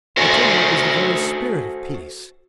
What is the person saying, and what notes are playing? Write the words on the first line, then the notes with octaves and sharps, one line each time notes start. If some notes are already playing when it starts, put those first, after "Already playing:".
I tell you it was the very spirit of peace.
F#4 A4 C5 E5 G#5